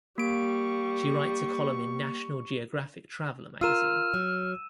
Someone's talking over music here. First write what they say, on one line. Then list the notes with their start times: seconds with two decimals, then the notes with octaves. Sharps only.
She writes a column in "National Geographic Traveller" magazine.
0.18 G3 A#3 C#6 D7
3.61 F4 A#4 E6 F6 D#7 E7
4.14 F#3